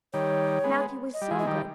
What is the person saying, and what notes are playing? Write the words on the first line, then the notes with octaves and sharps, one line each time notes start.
Matthew was so good.
D#3 G3 C#5
G#3 B3
D#5
G3
E3 G#3
D#5
D#3 G3